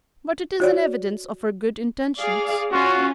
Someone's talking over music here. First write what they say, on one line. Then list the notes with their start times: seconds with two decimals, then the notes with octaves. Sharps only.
But it is an evidence of her good intentions.
0.60 F#4 C#5 D5
2.19 G#4 D5 F5
2.72 C#4 F4 F#4